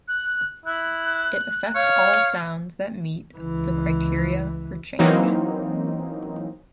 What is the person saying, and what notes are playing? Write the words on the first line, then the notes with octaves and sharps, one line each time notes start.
It affects all sounds that meet the criteria for change.
F#6
E4 F#6
C#5 F5
C#2 E3
E3 F#3 A#3 C4 C#4 D#4